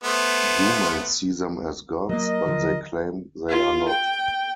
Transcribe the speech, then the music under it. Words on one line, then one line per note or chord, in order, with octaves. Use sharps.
Humans see them as gods, but they claim they are not.
A3 B3 C5
F#3 A#3 A#4 D#5
D3 F3 F#3
F4
G5